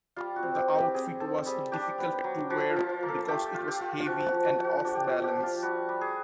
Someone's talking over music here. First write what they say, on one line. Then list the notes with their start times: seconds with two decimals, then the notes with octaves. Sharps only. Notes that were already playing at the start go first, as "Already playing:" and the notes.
The outfit was difficult to wear because it was heavy and off-balance.
0.16 G3 F4
0.36 F#4
0.43 C4
0.55 G4
0.68 C4
0.75 G4
0.94 C4 G#4
1.20 C4 A4
1.46 G3 G#4
1.72 D4 G4
1.98 B3
2.24 F#3
2.50 F3 F#4
2.70 F4
2.76 F3
2.89 F4
3.03 A#3
3.08 A4
3.28 A3 G4
3.54 F4
3.68 G4
3.81 F4
4.06 F3 F#4
4.26 F#4
4.33 F3
4.46 F#4
4.59 F3
4.64 F#4
4.85 D4 G4
4.95 G4
5.04 F#4
5.11 F3
5.17 F#4
5.24 G4
5.37 F3
5.43 F4
5.62 G3 F#4
5.89 G3
6.01 G#4